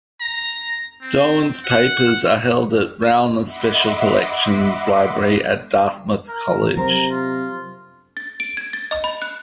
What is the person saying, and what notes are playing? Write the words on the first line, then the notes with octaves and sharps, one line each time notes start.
Doan's papers are held at Rauner Special Collections Library at Dartmouth College.
A#5
C4
F#5
D#5 E5 F#5 B5 C6 D6
A#4
C3 F#3 A#4 C5 A#5
F4
A6
D7
G#6
A6
D#5
B5
F#6